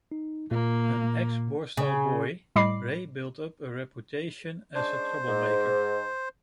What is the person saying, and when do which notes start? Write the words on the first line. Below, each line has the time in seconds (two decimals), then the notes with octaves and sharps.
An ex-borstal boy, Ray built up a reputation as a troublemaker.
0.12 D#4
0.51 A#2 A#3
1.77 C#3
2.56 A2 G3 D#5 B5 D6 C7
4.75 G#3 C#4 D4 C5
5.27 G#2